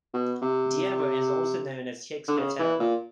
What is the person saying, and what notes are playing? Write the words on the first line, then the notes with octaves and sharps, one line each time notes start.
Diever is also known as "Shakespeare-town".
B2
C3
D3
C#3
E3
A#2